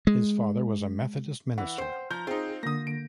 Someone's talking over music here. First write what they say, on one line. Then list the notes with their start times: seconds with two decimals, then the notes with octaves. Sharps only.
His father was a Methodist minister.
0.07 G#3
1.58 E3 F#5
1.78 C5 G5
2.10 F3 A#5 G6
2.27 C4 D#4 F4 G#4
2.63 D3 A#3 D#6 A#6
2.87 D7